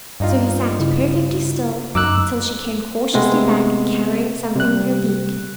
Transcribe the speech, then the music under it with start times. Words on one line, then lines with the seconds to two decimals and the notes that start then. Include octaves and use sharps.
So he sat perfectly still until she came cautiously back carrying something in her beak.
0.20 G2 D#4 F4
0.80 C#3 E4
1.95 F#2 D#4 D6 E6 F#6
3.14 C3 G#3 A3 B3 C4
4.56 C3 G3 F#6